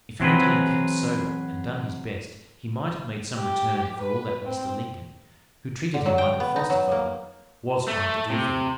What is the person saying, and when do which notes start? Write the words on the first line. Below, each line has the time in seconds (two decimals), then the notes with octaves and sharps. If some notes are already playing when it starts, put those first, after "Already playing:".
If Herndon had kept sober and done his best he might have made some return for all that Mr. Lincoln, who treated him like a foster-father, was trying to do for him.
0.20 E3 F#3 C4 G#4 B4
3.37 G4
3.99 B4
4.44 C4
5.94 D3
6.06 F#3
6.18 G5
6.40 B3
6.56 D#4
6.70 F#3
6.92 A#3
7.88 A3
8.30 C3